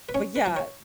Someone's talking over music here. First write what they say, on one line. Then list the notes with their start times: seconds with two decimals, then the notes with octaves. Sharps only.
But yeah
0.09 B4
0.14 C#4 C#5
0.36 B4
0.46 F3
0.56 C#5